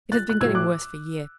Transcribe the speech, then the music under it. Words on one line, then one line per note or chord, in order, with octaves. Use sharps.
It has been getting worse for years.
F#6 A6
F#6
A2 F#3 E6 G#6
D6 F#6